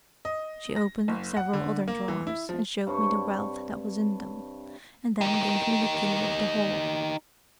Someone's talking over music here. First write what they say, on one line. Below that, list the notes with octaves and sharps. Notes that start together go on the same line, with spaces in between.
She opened several other drawers, and showed me the wealth that was in them, and then gave me the key of the whole.
D#5
A#6
F#1
F#5
D3
A#3
E3
E4
F3
G2 C3 C#5
D#4 G4